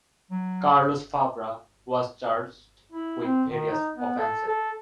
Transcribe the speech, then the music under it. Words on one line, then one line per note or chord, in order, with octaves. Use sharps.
Carlos Fabra was charged with various offences.
F#3
E4
C4
D#3
D#4
B3
A4
A4